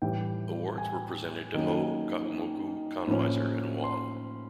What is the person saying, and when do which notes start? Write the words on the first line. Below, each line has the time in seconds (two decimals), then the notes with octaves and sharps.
Awards were presented to Ho, Kahumoku, Konwiser and Wong.
0.02 A2 E3 G3 G5
0.78 G#5
1.54 D#3 F#3 A#3 C#4
3.07 A2 F3 A#3 C#4
3.84 C6